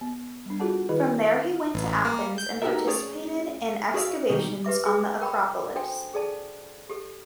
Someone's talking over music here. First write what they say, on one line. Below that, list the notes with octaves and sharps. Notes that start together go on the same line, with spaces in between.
From there he went to Athens and participated in excavations on the Acropolis.
B3
G3 D4
F4 F#4 G#4 A4 F#5 A5
D#3 E4 G#4 B4 D#5 B5
A#4
A1
A#3
G6
D#4 F#4 G4 A4 A#4 E5
A3 C#4 G#4 C#5 D5
F#4 G#4 D5 E5 F5
B2 D#3 G3
G4 B4 E5 D6
G#4 D6
A#4 G5 B5
D4 F#4 A4 C5 G5 G#5
G#4 A4 D5 A5
G4 A4